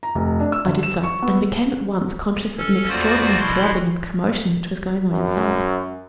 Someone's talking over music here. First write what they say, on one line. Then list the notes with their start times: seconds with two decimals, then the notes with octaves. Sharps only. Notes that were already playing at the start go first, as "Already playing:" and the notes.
I did so; and became at once conscious of an extraordinary throbbing and commotion which was going on inside.
0.03 A#5
0.15 F1
0.40 D4
0.52 E6
0.66 D3
0.83 E7
1.03 C#6
1.22 B3
2.58 C#4 A4
2.89 E2 A#3 F4 F#4 C5 D5
3.40 B2 F3 E4 C6 F#6
5.11 F#2